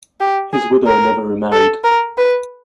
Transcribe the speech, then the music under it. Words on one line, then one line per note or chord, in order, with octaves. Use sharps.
His widow never remarried.
G4
G#4
A#4
A4
A#4
B4